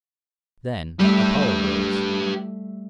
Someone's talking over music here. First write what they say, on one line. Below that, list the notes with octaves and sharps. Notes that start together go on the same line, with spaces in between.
Then Apollo rose.
G3 A3 G4 B4 E5